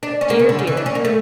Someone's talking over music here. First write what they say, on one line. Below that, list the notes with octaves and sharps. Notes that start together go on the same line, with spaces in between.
Dear, dear!
D4
C#4
A#3
C#3
D3
C#3
E3
D4
C#4
A#3
A3